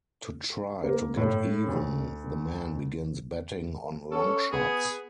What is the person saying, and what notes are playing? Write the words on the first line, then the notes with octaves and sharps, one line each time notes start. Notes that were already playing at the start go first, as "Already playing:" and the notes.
To try to get even, the man begins betting on long shots.
A#3
A2
D2
C#4 A4
B3 G#4